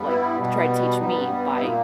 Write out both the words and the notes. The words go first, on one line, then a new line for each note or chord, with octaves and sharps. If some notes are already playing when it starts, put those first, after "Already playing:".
like to try to teach me by
Already playing: G2 G3 B3
E4
B2 G3 B3
G2 G3 B3 D#4
E4
A#2 A#3 D#4